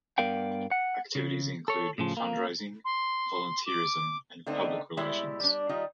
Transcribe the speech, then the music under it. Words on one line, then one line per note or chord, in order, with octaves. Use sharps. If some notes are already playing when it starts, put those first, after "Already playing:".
Activities include fund-raising, volunteerism, and public relations.
G2 B3 A#4 D5 F5 G5
F#5
C#3
A4 C#5
A2 C#3 F3
A#3
C6
D6
D3 A3 B3 C4 D#4
B2 G3 G#3 E4 E5
G3 D4
D#3 G3 D#4 F4 D#5